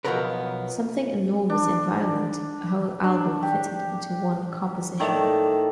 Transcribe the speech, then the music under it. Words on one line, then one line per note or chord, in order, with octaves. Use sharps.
Something enormous and violent, a whole album fitted into one composition.
B1 F3 F#3 B3 A#4 B4
D4
D4
G4
A2 D#3 D5 A5